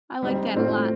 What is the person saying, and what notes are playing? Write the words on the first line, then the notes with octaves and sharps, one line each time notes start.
I like that a lot.
G3 C4 D#4
A2 A3 C4 F4